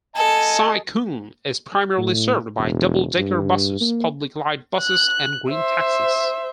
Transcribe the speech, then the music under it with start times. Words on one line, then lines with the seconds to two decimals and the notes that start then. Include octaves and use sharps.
Sai Kung is primarily served by double-decker buses, public light buses and green taxis.
0.16 A4 D#5 G#5 A5
1.98 A2
2.58 E1
3.17 G2
3.81 A#3
4.80 F#6
5.50 C5 E5